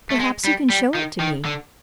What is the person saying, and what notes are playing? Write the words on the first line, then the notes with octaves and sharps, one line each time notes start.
Perhaps you can show it to me?'
A3
G#3
G3
G3
D#3
D#3
D3